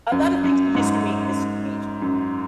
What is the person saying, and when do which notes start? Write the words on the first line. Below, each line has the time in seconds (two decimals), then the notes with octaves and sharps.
a lotta things in history has changed in America,
0.12 F#2
0.44 F#2
0.75 G#2
2.02 F#2